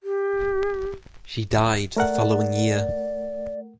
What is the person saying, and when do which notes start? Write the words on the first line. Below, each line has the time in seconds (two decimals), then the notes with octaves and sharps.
She died the following year.
0.03 G4
1.97 A3 A#4 D5 F#5